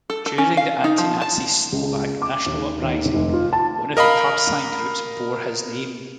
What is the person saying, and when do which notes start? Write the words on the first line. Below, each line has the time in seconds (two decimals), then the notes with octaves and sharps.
During the anti-Nazi Slovak National Uprising, one of the partisan groups bore his name.
0.10 A4
0.26 A4
0.38 C#4
0.57 F5
0.84 D#4
0.98 F3
1.22 A5
1.72 C#2
2.22 D6
2.46 D#2
2.82 D#2
3.13 F1
3.33 F4
3.53 A5
3.97 A#4 D#5 F5 B5